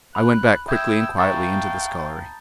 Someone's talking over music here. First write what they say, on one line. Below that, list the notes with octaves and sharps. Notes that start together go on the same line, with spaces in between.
I went back quickly and quietly into the scullery.
B5 F#6
E5 G5 D#6 E6 G6 G#6
E5 F5 G5 A5 A#5 C#6 A6